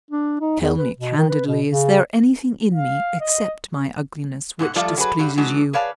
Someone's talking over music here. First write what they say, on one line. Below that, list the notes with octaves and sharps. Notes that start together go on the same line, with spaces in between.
Tell me candidly, is there anything in me, except my ugliness, which displeases you?
D4
D#4
E2
B4
B2
D#3
B4
B2
C#3
F5
D#5
G#2 B2 G4 F#5
F3 G3 A3 F4 A4 D5
F#3 G#4 B4
G2 G3 F#4
E3 G#3 D4 F#4
G#4 B4 C#5 D5 F5 A5